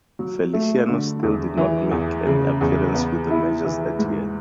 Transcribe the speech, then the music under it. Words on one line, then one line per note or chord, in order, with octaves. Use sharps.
Feliciano still did not make any appearance with the majors that year.
F#3
A3
D3
E2
E3
E2
C#3
E2
B3
E4
E3
G#2